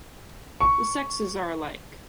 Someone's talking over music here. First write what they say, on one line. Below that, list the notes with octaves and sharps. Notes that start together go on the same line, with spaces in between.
The sexes are alike.
C#6